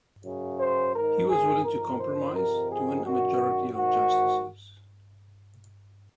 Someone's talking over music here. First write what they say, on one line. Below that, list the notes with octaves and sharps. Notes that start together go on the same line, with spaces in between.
He was willing to compromise to win a majority of Justices.
F#2 C#3
C5
G#2 D#3 A#4
G#4
F2 D#3 A#4
C5
F2 C3 D#3 A#4
G#4
F#2 D#3 F#4
G#2 D#3 F#4